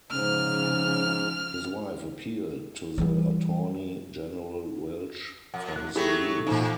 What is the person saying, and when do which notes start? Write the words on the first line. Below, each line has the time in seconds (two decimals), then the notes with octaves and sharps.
His wife appealed to the Attorney General Welsch for his release.
0.11 G#2 C#3 F3 F6
2.98 E3 G3
5.54 F2 F#5
5.76 F#6
5.96 F#3 A3 B3 E4 G4 G#4
6.47 E2 A#2 D#4